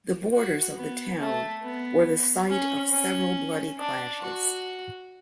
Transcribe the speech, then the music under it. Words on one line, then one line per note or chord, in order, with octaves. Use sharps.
The borders of the town were the site of several bloody clashes.
F#4
B3
A3
B3
C#4
C#4
D4
F#4